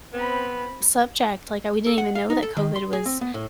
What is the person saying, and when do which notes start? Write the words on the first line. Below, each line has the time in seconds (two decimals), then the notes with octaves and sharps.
subject, like, we didn't even know that COVID was
0.14 B3 C4 B5
1.87 A4
1.98 F#5
2.15 F5
2.30 D#4
2.42 A4
2.57 D#3
2.76 C6
2.93 G#4
3.06 C4
3.21 B3
3.34 A2